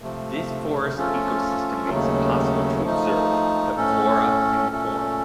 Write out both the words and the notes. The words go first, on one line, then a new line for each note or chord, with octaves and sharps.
This forest ecosystem makes it possible to observe the flora and fauna.
C3 F3 A3
F3 A3 C#4 F4 A4
D#2 C#3 F#3 A3
F3 A3 D#4
A2 A3 C#4 A4
A#2 A3 C#4 A4